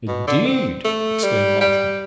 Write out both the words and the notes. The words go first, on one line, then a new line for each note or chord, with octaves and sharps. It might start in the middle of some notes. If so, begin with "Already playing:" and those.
"Indeed!" exclaimed Marchmont.
B2
D3
C4
A3
G3
G3